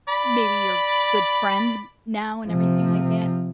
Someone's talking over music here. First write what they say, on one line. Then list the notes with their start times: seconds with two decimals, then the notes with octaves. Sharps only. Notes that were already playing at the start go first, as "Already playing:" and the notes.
maybe you're good friends now and everything like that,
0.08 D5 B5
2.47 C3 F3